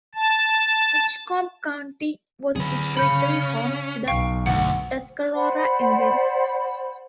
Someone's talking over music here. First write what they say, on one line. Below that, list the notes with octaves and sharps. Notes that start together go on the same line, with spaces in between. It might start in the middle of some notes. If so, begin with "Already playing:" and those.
Edgecombe County was historically home to the Tuscarora Indians.
A5
D3 F#3 C4 G#4 B4
C#3 C#4 B5 G6
B1 F5 G5 C#6
G1 D2 D3 E3 F#5
C5 D5 F#5 B5